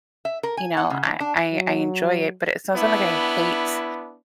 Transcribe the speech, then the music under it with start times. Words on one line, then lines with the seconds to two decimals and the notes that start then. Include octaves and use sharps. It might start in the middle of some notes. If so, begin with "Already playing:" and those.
you know, I I I enjoy it, but it's not like I hate,
0.25 E5
0.43 A#4
0.57 G#5
0.77 F#5
0.90 C#3
1.03 E3
1.20 D4
1.52 F#3
2.75 B3 D4 E4